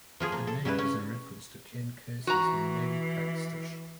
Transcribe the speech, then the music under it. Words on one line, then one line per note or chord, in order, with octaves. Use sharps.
The name is a reference to Ken Kesey's Merry Pranksters.
F3 F4 G#4
A#3
A4
C#3 G3 E4 B4
C#4
E3 F#4 A#5